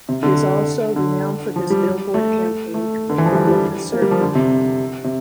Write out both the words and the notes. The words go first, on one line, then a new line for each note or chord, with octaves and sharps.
He is also renowned for his billboard campaign in Republic of Serbia.
C3
D3
D3
F3
G3
A3
A3
D3
E3
F3
G3
G3
A#3
G3
F3
D3
C3
C3